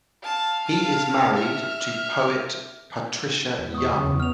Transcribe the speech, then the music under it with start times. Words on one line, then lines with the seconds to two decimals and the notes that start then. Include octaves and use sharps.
He is married to poet Patricia Young.
0.24 F5 A5
0.67 A5
1.36 E5 F6
3.59 E2
3.75 C#6 D#6
3.91 C#3
4.04 E2
4.20 B3 F6 F7